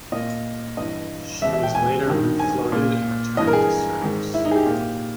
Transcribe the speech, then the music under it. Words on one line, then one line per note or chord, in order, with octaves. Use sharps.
She was later refloated and returned to service.
A#2 D#5
G2 E3 D#5
E2 B2 E5
E5
G5
G#5
G2 D#3
G#5
A#2
G2 E3 D#5
A#4
G#4
G#2 D#3
E4
D#4
G#4
G4
A#2